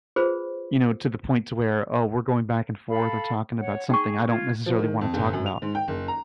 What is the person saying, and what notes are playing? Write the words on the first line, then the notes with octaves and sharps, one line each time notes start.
you know, to the point to where, oh, we're going back and forth or talking about something I don't necessarily wanna talk about,
F4 G#4 B4 C5 B5
A4 F5 B5
C#5 F#5
D#4 G#4 G5 C#6
F4 G#6
F3
D#3
F2
G1
F#2
F7
G#2
G5
F#1
A#5